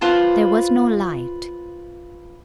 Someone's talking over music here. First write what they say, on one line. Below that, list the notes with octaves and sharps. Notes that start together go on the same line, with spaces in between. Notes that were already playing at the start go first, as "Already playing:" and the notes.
There was no light.
F4 B4 C5 A5